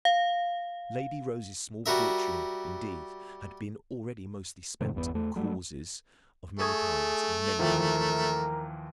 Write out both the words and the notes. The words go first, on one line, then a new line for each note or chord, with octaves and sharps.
Lady Rose's small fortune, indeed, had been already mostly spent on "causes" of many kinds, in many countries.
F5
G3 F#4 A#4 E5
G#2 C3 D#3 A3
G1 E2 B3
E2 A3
F#3 G3 A3
A3 G#4 C#6 D#6 G#6
D#2 E3 F3 A#4